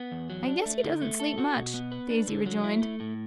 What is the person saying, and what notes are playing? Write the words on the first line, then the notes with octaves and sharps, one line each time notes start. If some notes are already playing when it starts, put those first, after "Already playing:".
"I guess he doesn't sleep much," Daisy rejoined.
Already playing: B3
E2
F#3
D4
A3
D3
A3
A4
F#4
B2
B3
B4
D4
D3
F#3
E4
A3
A2